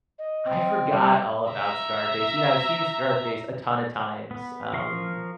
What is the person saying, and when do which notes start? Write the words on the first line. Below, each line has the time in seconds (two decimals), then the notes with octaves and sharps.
I forgot all about Scarface, you know, I've seen Scarface a ton of times, um,
0.19 D#5
0.46 C4
0.93 G3
1.51 E5 A#5
4.31 B3
4.73 F3 A#4 C6 C#6